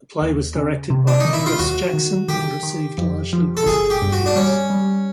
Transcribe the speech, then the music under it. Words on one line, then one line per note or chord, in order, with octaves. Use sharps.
The play was directed by Angus Jackson and received largely positive reviews.
D#2
C#3
C3
D4
D#3 D#4
E4
F4
D#2 F#4
D#3
D#3 G4
D#3
F2
F3
A4
G1 G#4
G4
G2
F#4
D4
G3 C#4
G3